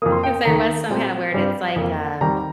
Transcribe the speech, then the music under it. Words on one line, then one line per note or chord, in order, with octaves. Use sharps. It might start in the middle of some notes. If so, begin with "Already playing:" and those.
'cause there was some kinda word, it's like, uh
F2 F3 A#3 D#6
C6
G5
G5
D#2 D#3 A#3 A#5
A#2 G3 C4
G2 G3 C4
F2 F3 A#3
D#2 D#3 G3 C4 A#5